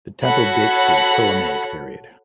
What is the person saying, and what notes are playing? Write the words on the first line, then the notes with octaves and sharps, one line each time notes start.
The temple dates to the Ptolemaic period.
F#4 A4 C#5 F#5 B5